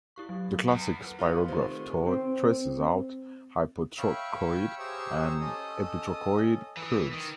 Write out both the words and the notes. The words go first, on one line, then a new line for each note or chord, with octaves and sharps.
The classic Spirograph toy traces out hypotrochoid and epitrochoid curves.
E4 G4 C#6
F#3
E2 B3
A#4 B4
F4 B4 D#5 F#5
C3 D#3 A3
C4
C#5 E5 F5 G5 B5 C#6
G4 G#4 C5 A#5 C#6 E6
C#4 A4 D#5 D#6
E3
D#3